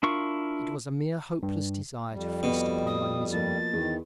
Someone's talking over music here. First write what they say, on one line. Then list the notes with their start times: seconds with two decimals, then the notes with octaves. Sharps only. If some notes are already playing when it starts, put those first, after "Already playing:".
It was a mere hopeless desire to feast upon my misery.
0.03 D4 E4 F4 A#4 C#6
1.43 G2
2.12 F2 G3
2.43 B2
2.87 D#6
3.33 F3 A#3 A6
3.73 E2 D#3